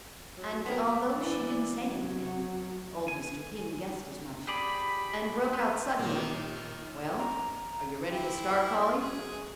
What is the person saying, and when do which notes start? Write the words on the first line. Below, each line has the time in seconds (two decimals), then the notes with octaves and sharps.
And, although she didn't say anything, old Mr. King guessed as much, and broke out suddenly, "Well, are you ready to start, Polly?"
0.38 F#3
0.66 F#3 B3 C4 A#4
1.13 E3 D5
1.74 F#3
3.08 G#5
4.47 G4 G#4 D5 B5
5.53 G4 B4 C6
5.99 D#2 A#2 D#3 A#3
7.19 A#5
8.07 C4 E4 G4
8.99 F#3 G#4